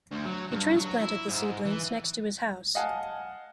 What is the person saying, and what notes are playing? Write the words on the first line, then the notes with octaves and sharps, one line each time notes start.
He transplanted the seedlings next to his house.
D2
F#3
G2
F#3
E4
G#2
E3
D#5 F5 F#5 G#5 A5